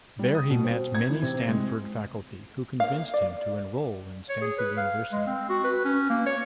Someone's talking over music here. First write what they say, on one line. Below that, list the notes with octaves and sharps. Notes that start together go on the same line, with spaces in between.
There he met many Stanford faculty, who convinced him to enroll in Stanford University.
G3
D#6
B2
C4
G#6
E3
C3
G#3
A#3 F5
D5
C#5
G#4
B4
F5
G#3
C4
F#4
B4
C#4
A#3
C#5